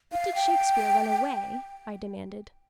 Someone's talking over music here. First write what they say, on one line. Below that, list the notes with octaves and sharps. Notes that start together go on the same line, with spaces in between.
"But did Shakespeare run away?" I demanded.
F5
G5